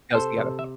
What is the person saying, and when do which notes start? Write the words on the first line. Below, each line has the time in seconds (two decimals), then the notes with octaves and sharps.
goes together.
0.14 C3 A4 C5
0.38 C3
0.59 E5